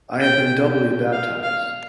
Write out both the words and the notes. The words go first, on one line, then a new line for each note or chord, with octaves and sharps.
I have been doubly baptized.
G5
F5
F5